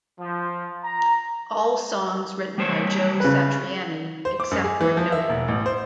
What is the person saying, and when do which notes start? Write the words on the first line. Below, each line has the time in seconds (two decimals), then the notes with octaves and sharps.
All songs written by Joe Satriani, except where noted.
0.19 F3
0.84 A#5
2.58 G3 C5 C#5
3.20 C#3 B4
4.25 C5
4.40 D6
4.51 F#2
4.64 G#4
4.81 E3
4.97 F3
5.12 E5
5.29 E1
5.48 A1
5.66 C5